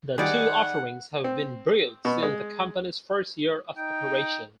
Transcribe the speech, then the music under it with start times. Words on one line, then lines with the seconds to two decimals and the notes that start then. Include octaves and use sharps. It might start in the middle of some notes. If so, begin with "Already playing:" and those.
The two offerings have been brewed since the company's first year of operation.
0.18 D#3 G3 D#4 G#4 D5 F#5
1.24 C4
2.05 B2
2.23 G#3
3.77 D#4 G5